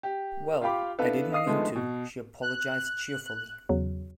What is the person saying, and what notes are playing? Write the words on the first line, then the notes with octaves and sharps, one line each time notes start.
"Well, I didn't mean to," she apologized cheerfully.
G4
F4 G4 F5 G5 B5 D6
B3 D4 E4 A4 B4 F5
D#5 F5 D#6 C7
D3 D#3 F3 G#3 A3 B3
B2
F#6
E2 C#3 F#3